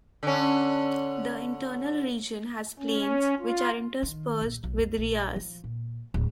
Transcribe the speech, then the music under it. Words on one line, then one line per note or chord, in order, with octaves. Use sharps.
The internal region has plains, which are interspersed with "rias".
D3 C#4
C#4
F4
D#3
A#1
B1
F2
A#1
F3
A#2
D1